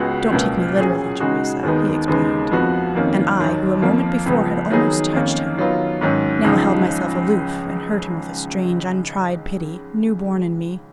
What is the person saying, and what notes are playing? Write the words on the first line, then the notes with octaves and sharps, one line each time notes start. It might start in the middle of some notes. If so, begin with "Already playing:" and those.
"Don't take me literally, Theresa," he explained; and I, who a moment before had almost touched him, now held myself aloof and heard him with a strange untried pity, new born in me.
Already playing: C#2 C#3 G#3 B3 F#4
C#2 B2 A#3
A#2 F#3 C#4 G#4
C#3 G#3 D#4 F#4
D#2 D#3 G#3 B3 D#4
D#2 C#3 G#3 B3 D#4
F2 F3 B3 F#4
F2 D#3 A#3 C#4
D#2 D#3 F#3
F2 F3 A#3
C#2 C#3 F3 B3
D#3 F#3 B3 D#4 G#4
F2 D#3 A#3 C#4
D#3 F#3 B3 F4
G#2 D#3 F#3 C#4
C#2 C#3 F3 G#3 D#4